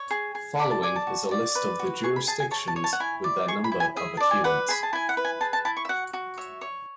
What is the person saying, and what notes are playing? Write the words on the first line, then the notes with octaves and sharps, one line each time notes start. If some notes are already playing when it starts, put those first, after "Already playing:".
Following is a list of the jurisdictions with their number of adherents.
Already playing: C#5
G#4
G#4
D5 B5
A5
D5 G#5
A5
F#4
D5
B4
F#4
G#4 C#6
B5
G#4 A5
G#5
C#5 A5
A5
C#5
A5
F#5
E4 G#5
D5
G#4 C#6
B5
E4
G#5
G#4 E5
D5 A5
G#5
B4 F#5
G#4 B5
A5
E4 G#5
F#5
B4
G#5
G#4 A5
A5
E4 A5
C#6
E5
F#4 F#5
F#4
C#5 E5
C#5